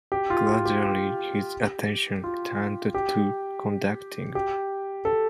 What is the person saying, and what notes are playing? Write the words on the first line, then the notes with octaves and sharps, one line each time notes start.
Gradually his attention turned to conducting.
G4
F4
F4
G4
G4
F4
G4
G4
A4